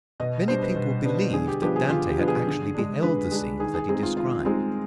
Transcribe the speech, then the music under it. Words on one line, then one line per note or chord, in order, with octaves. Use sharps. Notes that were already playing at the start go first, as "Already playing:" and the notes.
Many people believed that Dante had actually beheld the scenes that he described.
B2 D#5
G3 B3 D4 C5
B4
B2
G3 B3 D4
D3 G#4
G4
F3 B3 D4 G4
G#4
D3 F4
G4
F3 B3 D4
G#4
D3
G#3 D4
D3 B4
G#3 D4
D#3 G#4
G#4
G#3 C4 D#4 G#4
F4
D#3 F4
G#3 C4 D#4